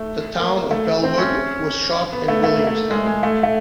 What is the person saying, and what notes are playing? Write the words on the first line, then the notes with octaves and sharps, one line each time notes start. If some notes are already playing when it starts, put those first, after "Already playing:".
The town of Bellwood was shot in Williamstown.
Already playing: A3
A#3
A3
C4
C#4
B3
A3
A3
A#3
A3
G#3
G#3
A3
A3